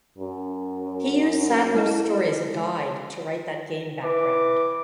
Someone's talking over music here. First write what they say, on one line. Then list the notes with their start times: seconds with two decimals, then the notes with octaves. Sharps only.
He used Sadler's story as a guide to write that game background.
0.18 F#2
1.75 G#3 E4 D#5
4.04 E3 D6